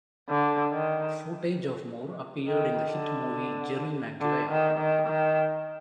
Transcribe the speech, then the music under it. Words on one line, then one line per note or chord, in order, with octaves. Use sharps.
Footage of Moore appeared in the hit movie "Jerry Maguire".
D3
D#3
D#3
D3
D3
D#3
D#3
D#3